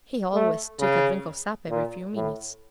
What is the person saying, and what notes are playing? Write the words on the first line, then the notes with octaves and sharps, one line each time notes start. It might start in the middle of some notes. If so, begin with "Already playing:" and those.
He always took a drink of sap every few minutes.
A3
C#3
A#2
A2